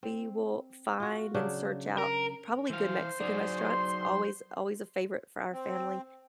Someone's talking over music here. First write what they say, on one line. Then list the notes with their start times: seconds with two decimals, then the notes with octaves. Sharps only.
we will find and search out, probably good Mexican restaurants, always always a favorite for our family,
0.03 C4
1.00 F4 F#4
1.34 C#3 F#3 D4
1.98 A#4
2.70 E3 C5 F5
3.20 F#3 D#4 G#4 D5
3.58 C6
5.52 C4